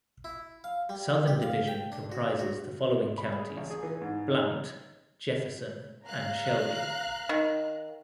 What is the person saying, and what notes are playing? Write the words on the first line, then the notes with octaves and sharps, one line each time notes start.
Southern Division comprises the following counties: Blount, Jefferson, and Shelby.
E4
F5
G3
G4
F5
G5
D4
F#4
F#4
B5
G#4
A1
G#4
E3
G#2
D#4
F5 A#5 F#6
D#3